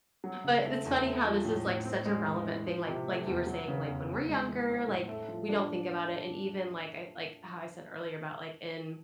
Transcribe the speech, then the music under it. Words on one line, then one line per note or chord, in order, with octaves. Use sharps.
But, it's funny how this is, like, such a relevant thing, like like, you were saying, like, when we're younger, like, we don't think about it and even, like, I like, how I said earlier about, like, in
F#3
C#3
A3
E2
A3
F3
A2
A2
C4
G#3
E3
E3
F3
C3
A3
E2
F#3
C#3
E2
E2
G#3
E3
C4
A2
A3
F3
D4